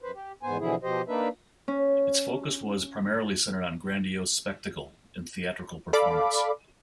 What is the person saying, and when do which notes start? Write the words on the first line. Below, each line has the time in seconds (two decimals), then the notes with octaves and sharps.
Its focus was primarily centered on grandiose spectacle in theatrical performance.
0.02 F#2 B4 C5
0.15 G4
0.43 E2 G#2 B3 C5 G#5
0.59 B2 D3 E3 F3 E4 G#4
0.83 B2 F3 G4 C5 D#5
1.08 A#3 D4 D#4 B4 E5
1.68 C#4
5.93 A4 D5 F5 B5 D6